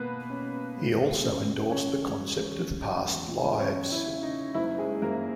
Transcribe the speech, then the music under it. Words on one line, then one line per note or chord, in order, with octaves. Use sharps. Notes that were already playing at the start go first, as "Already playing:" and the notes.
He also endorsed the concept of past lives.
Already playing: B2 A#3 B3 B4
C#4
E1
C#3
C#3 C#4 C#5
E1
C#3
E2
F#3 C#4 C#5
E4
C#3
D#4
F#1 E4
G#3 G#4
F#2 A#3 A#4